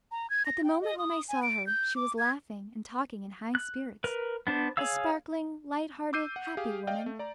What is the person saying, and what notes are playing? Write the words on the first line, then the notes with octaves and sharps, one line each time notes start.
At the moment when I saw her she was laughing and talking in high spirits--a sparkling, light-hearted, happy woman.
A#5
G#6
A#6
G5
D#5
D#6
G#5
D7
G6
D6
G#6
F#6
A#4 B4
B3 D4 C5
G#4 C#5 F5 E6
D6 E6 G6 C7 D#7
F#5
G4 G#4 F5
D5 D#5 F5 G5
A3
D5 A#5